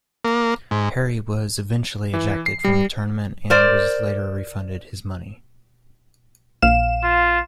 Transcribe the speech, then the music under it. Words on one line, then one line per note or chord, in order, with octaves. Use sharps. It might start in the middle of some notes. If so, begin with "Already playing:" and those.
Harry was eventually ejected from the tournament and was later refunded his money.
A#3
G#2
E3
C7
G3
A#4 C5 D5
A#1 F5 E7
F4